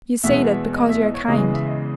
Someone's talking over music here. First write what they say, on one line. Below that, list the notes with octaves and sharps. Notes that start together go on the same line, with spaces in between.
'You say that because you are kind.
E2 B2 G#3 B3 E5
D#5
E5
D#5
C#5
E2 C#3 E3 G#3 D#5
D#5
E5
D#5